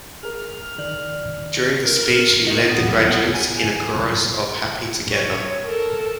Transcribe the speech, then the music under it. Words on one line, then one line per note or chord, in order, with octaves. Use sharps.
During the speech he led the graduates in a chorus of "Happy Together".
G#4 A#4 F6
D#3 D5 F#7
A#4
A#4 D#5
B3
G#5
C#5
A4 A#4